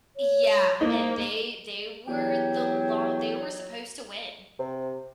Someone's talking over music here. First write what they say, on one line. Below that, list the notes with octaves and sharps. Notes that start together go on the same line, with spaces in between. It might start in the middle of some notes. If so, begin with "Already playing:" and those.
Yeah. And they they were the lo they were supposed to win.
C#5
A#3 D#4 C5
E2 F#3 G4
C3